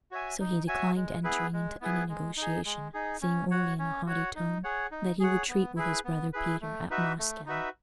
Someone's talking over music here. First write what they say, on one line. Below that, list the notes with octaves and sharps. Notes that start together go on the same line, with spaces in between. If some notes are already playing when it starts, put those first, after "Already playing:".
So he declined entering into any negotiation, saying only in a haughty tone "that he would treat with his brother Peter at Moscow."
F#4 C#5 E5 G#5
D#4
F#4 C#5 E5 G#5
G#3
B3 E4 G#4 B4
G#3
B3 E4 G#4 B4
G#3
D#4 G#4
G#3
D#4 G#4
C#4
F#4 C#5 F#5
C#4
F#4 C#5 F#5
D#4
G#4 C#5 F#5
D#4
G#4 C#5 F#5
B3
E4 G#4 B4
B3
E4 G#4 B4
A3
D#4 F#4 B4 E5
A3
D#4 F#4 B4 E5